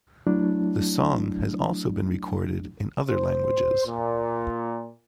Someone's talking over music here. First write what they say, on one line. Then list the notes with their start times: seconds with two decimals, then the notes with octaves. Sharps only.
The song has also been recorded in other languages.
0.27 F#3 A3 D4 E4
3.09 C5
3.86 A#2